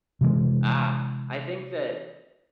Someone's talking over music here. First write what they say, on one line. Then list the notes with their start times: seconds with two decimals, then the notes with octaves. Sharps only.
Ah. I think that
0.21 C3 E3 G#3